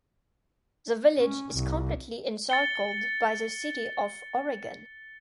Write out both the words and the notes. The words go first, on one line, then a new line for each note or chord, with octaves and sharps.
The village is completely encircled by the city of Oregon.
C#4
C2
A6 C#7 G7